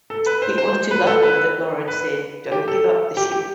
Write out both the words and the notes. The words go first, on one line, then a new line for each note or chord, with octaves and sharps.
It was to Ludlow that Lawrence said Don't give up the ship.
A4
B4
C5
C5
B4
A4
B4
B4
G4
A4
G4
G4